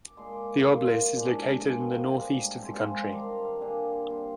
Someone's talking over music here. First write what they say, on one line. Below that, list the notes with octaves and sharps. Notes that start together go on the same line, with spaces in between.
The Oblys is located in the northeast of the country.
D6
A#2 G#3 D#4 C6
D6
D6
A#2 F3 A#3 C6
D3 G#3 D4
F3 A#3 D#4 G#5
G5
F5
G2 D3 G#3 D#5
G5
G#2 F3 G#3 C4 C6
G#5
A#5
D#3 G3 D4 F4 C6
A#5
F5
D3 G3 A#3 G#5
A#2 G3 C4 C6